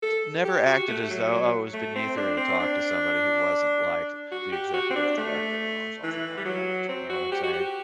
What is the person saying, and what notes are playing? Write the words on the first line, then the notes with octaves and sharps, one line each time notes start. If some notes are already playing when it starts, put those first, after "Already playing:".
b t never acted as though, oh, it was beneath her to talk to somebody who wasn't like the executive director or something like that, you know what I'm saying?
A4
G4
F#4
A3
F#3
F#3
A3
C4
D4
C4
D4
F#4
G4
F#4
C4
D4
A3
E3
G3
F#3
C4
F#4
G4
F#4
G4